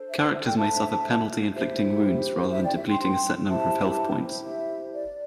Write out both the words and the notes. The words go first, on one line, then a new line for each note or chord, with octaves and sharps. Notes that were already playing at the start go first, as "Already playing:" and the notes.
Characters may suffer penalty-inflicting wounds rather than depleting a set number of health points.
Already playing: D4 A4 C5
E5
D5
E5
D5 G5
E5 A5
E4 G4 C5 E5
E5
D5 G5
E5
G5 C6
E4 G4 C5 E5 A5
E5
D5